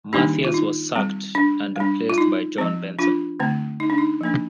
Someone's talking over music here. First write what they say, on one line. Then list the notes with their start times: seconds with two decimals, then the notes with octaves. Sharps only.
Mathias was sacked, and replaced by John Benson.
0.13 D#3 G3 A#3 D4 D#4 G4
0.45 F4
0.54 D#4
0.95 G3 C4
1.35 D4
1.76 G3 D4
2.10 F4
2.18 D#4
2.58 F3 C4
2.99 D4 F4
3.40 D3 A3 C4
3.80 D#4
3.90 D4
3.98 D#4
4.21 F3 A#3 D4